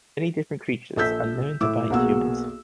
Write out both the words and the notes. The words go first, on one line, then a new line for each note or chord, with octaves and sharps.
Many different creatures are known to bite humans.
A#1 A4 E6 G6 B6
A2 D6 E6
B1 A#3 B3 F#4 G#4 E6